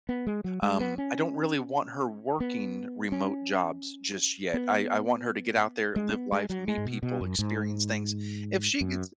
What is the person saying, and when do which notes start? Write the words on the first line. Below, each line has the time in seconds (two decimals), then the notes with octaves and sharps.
um, I don't really want her working remote jobs just yet. I I want her to get out there, live life, meet people, experience things. If she gets
0.09 B3
0.27 G#3
0.44 F#3
0.63 G#3
0.80 B3
0.98 C#4
2.40 B3
3.12 C#4
4.54 B3
5.96 G#3
6.09 C#4
6.14 B3
6.32 G#3
6.50 F#3
6.68 G#3
6.78 G#2
6.85 B2
7.03 B2
7.21 F#2
7.39 G#2
8.81 F#2